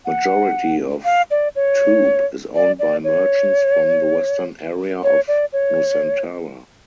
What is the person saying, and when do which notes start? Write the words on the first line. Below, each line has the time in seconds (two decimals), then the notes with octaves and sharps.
Majority of toop is owned by merchants from the western area of Nusantara.
0.05 F#5
1.05 F5
1.31 D5
1.56 C#5
2.55 D5
2.79 D5
3.04 C#5
5.03 C#5
5.28 D5
5.53 C#5